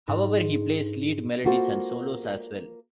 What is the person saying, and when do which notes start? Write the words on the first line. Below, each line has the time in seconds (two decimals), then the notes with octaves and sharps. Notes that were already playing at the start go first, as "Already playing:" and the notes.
However, he plays lead melodies and solos as well.
0.08 G#2
1.45 A#3 F4 F#4 A4 C5